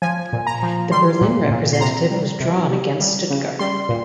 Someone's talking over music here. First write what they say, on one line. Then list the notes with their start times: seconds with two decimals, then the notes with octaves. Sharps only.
The Berlin representative was drawn against Stuttgart.
0.02 F3 G#5
0.33 A#2
0.47 A#5
0.63 F3
0.92 G3 C6
1.21 A#2
1.51 A#2
1.73 C6
1.81 C3 A#5
2.11 G3
2.40 C3
2.71 G3
3.00 G3
3.30 C#3
3.59 G3 C6
3.89 A#2